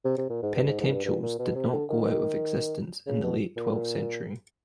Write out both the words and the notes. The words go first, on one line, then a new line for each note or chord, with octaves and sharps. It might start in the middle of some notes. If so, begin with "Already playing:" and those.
Penitentials did not go out of existence in the late twelfth century.
C3
C3
A#2
G#2
G2
G#2
G#2
G2
G2
A#2
B2
C3
D3
D#3
D#3
C#3
B2
A#2